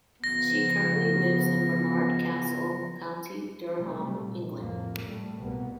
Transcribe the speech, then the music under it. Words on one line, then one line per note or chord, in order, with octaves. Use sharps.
She currently lives in Barnard Castle, County Durham, England.
C#3 F3 B3 A#6
C3 G3 A3
A#2
C2 F2 A2 A#3
A2 G3 A3
C2 B2 A#3 B3